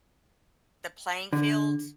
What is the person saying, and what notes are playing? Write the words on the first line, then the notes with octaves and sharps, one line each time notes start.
the playing field,
D3